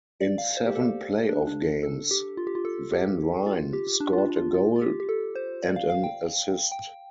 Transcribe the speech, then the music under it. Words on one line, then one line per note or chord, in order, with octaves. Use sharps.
In seven playoff games, Van Ryn scored a goal and an assist.
D5
F5
C5
G4
A4
D4
D4
A4
G4
F4
G4
F4
A4
G4
F4
G4
D4
F4
D4
F4
F4
F4
G4
G4
A4
C5
D5
F5
F5
G5
G5